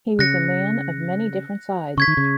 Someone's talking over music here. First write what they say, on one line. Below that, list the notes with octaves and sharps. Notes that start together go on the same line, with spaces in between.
He was a man of many different sides.
C#3 F#6 A#6 C#7
C#3 C#6 G#6 B6
D#3
C#3